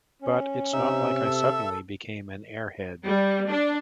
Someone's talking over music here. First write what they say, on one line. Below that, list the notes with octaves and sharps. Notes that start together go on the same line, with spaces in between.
But it's not like I suddenly became an airhead.
C#4
C3 D#4 E5
A4
G3
D4